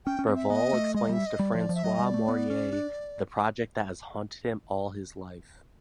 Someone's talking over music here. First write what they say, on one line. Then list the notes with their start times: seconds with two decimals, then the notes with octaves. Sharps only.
Breval explains to François Mourrier the project that has haunted him all his life.
0.06 C#4 G5
0.19 C#4
0.28 C4
0.36 E5
0.50 B3 D#5
0.73 A3
0.94 G#3 D#5
1.09 G3 E5
1.26 D#5
1.39 G3 D5
1.55 F3
1.69 F3
1.75 E5
1.84 F#3 D#5
1.99 G3
2.06 D5
2.14 A3
2.28 B3
2.50 C#4
2.73 D4